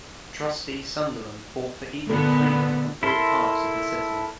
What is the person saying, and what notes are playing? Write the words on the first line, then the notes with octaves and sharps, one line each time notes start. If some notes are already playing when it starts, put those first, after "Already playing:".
Trustee Sunderland fought for equal treatment of all parts of the city.
A#2 D3 G#3 B3 A4
E4 A4 A#4 C6